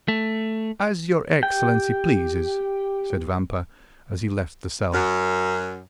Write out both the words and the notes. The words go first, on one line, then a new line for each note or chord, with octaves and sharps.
"As your excellency pleases," said Vampa, as he left the cell.
A3
G4 G5
F#2